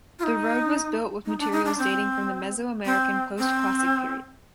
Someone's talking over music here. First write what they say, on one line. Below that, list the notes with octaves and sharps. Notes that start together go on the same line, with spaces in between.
The road was built with materials dating from the Mesoamerican Postclassic Period.
F4
D#4
D#4
D4
D#4
D4
C4
C4
C4